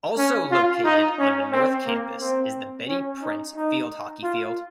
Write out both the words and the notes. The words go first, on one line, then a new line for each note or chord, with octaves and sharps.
Also located on the North Campus is the Betty Prince field hockey field.
C#4
F4
D#4
C#4
C4
A#3
C4
C#4
D#4
D#4
F4